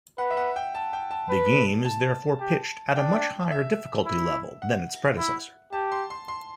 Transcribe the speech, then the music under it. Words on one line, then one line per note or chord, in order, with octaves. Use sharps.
The game is therefore pitched at a much higher difficulty level than its predecessor.
B4 F#5
E5
F#5
G5
A5
G5
A5
B4
A5
G4
D4 G5
E5
E4
F#5
E4
G4 A5
C6
C6
C6